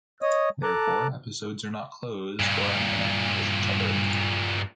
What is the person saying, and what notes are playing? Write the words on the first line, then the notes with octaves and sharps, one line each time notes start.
Therefore, episodes are not closed, or unconnected with each other.
C#5 D#5 D#6
A4 A5 A#5 D6 F#6
G2 A#2